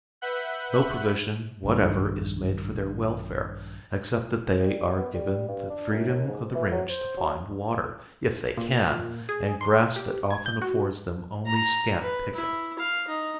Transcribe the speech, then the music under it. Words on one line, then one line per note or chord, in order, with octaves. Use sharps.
No provision whatever is made for their welfare, except that they are given the freedom of the range to find water, if they can, and grass that often affords them only scant picking.
B4 E5 F#5 B5 F#6 G6
A#1 G2 D#3
G3
B3
G3
G2
D4
F#2
D#2
G#2
E3
F#3
C5
F#3
A#2
G#4
C6
G4
G#6
G6
F#4
A#5
B4
E4
F5
D#4